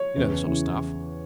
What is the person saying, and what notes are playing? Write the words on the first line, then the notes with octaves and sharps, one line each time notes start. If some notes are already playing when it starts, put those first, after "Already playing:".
You know the sort of stuff.
Already playing: C#5
E2 C#3 E3
C#3 E3